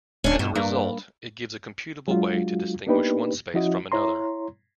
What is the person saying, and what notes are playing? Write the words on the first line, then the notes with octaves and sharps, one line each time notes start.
As a result, it gives a computable way to distinguish one space from another.
D1 C#4 D4
G2 B2
G2 A#3
F#3 G#3 D4 F4 F#4
A#3 B3 D4 D#4 G4 B4
F3 C#4 E4 F#4 D#5
E4 C#5 A#5 C6